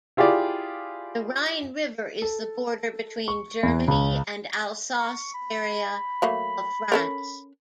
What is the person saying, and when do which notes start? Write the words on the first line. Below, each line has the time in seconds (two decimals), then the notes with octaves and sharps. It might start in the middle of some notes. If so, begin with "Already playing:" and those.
The Rhine River is the border between Germany and Alsace area of France.
0.17 E4 F4 G4 G#4 D5
2.22 A4
3.28 C#6
3.63 E2
3.88 C#2
4.99 C#6
5.34 B5
6.22 F#3 A3 A#3
6.92 C#4 A4 A#4